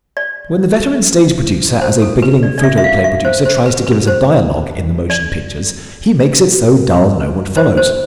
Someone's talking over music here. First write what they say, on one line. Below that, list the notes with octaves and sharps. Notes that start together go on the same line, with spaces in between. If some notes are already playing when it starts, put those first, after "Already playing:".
When the veteran stage-producer as a beginning photoplay producer tries to give us a dialogue in the motion pictures, he makes it so dull no one follows.
D5
C5
A4
B4
D5
D5
E5
E5
F5
E5
C5
C5
B4
B4
C5
D5
C5
C5